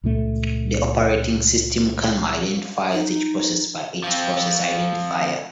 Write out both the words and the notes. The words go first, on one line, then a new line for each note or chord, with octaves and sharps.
The operating system kernel identifies each process by its process identifier.
C#2 A#2 A3
D#4
F3 C4